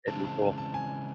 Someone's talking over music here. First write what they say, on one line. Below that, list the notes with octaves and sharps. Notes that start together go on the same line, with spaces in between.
that'd be cool.
C#3 E3 G#3 C4 A5
A5
A5
G#5